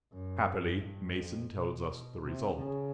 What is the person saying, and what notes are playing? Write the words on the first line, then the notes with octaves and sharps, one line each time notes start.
Happily, Mason tells us the result.
F#2
G2
F2
B2
C3
C#3